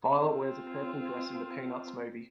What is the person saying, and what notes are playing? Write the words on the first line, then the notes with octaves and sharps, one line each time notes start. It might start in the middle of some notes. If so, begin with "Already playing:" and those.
Violet wears a purple dress in "The Peanuts Movie".
C4 F4